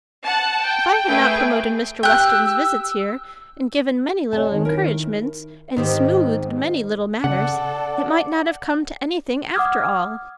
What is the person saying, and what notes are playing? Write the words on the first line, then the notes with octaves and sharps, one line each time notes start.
If I had not promoted Mr. Weston's visits here, and given many little encouragements, and smoothed many little matters, it might not have come to any thing after all.
F#5 A5
G5
A3 G#4 B4 G5
G4 E6 F#6
C3 C#5 D#5 G#5 A5
D#3
E4 A#4
G#2 D#3 B3 C4 G4
C#3 A4 D5 F#5
F#5 D6 D#6 F6 G#6